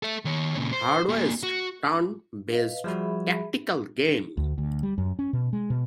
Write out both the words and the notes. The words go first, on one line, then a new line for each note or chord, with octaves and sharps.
"Hard West", turn-based tactical game.
A4 E5
D#3 C#5
A#2 C#3
C5
A#3 F#4
F#4
B4 D#5 F5
F3 G3 F#4 G#4 E5 B5
D2
D2
G3
F#2
C#4
B2
G#3
B2